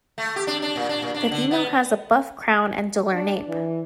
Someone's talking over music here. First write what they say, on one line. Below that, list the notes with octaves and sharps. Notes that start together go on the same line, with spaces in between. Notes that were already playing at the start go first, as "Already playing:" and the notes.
The female has a buff crown and duller nape.
A3
G4
D4
D4
A#2
D4
A#2
D4
D3
B3
D4
E3